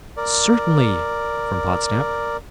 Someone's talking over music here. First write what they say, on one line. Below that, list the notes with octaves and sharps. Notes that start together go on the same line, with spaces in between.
'Certainly!' From Podsnap.
A#4 D5